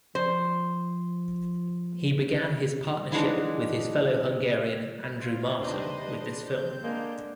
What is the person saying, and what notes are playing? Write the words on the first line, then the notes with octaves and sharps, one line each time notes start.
He began his partnership with his fellow Hungarian Andrew Marton with this film.
F3 C5
E3 F#3 G#3 A3 D4 D#4
E4 F4 C5
D#2 C3 D4 B4 C5 D#5 A#5
D4
C4 G6
D3 G#3 A#3